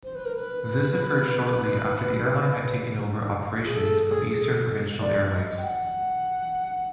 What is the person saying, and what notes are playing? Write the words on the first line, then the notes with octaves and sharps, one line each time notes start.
This occurred shortly after the airline had taken over operations of Eastern Provincial Airways.
C5
B4
A#4
B4
G#4
A4
G#4
A4
D5
D#5
G5
F#5